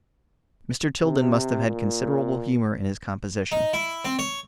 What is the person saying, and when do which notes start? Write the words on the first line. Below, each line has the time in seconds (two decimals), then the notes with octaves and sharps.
Mr. Tilden must have had considerable humor in his composition.
1.03 C3
1.66 A#2
3.52 D#4
3.73 E4
4.05 C4
4.19 C#5